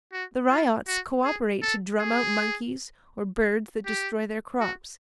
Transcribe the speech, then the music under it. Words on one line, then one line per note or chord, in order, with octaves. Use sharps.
The ryots co-operate to drum out monkeys or birds that destroy their crops.
F#4
F4
F#4
G#4
A4
G#4
G4
F#4